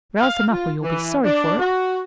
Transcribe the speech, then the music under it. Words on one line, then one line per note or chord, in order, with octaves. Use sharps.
"Rouse him up, or you'll be sorry for it."
F5
F4
E3
D4
F#4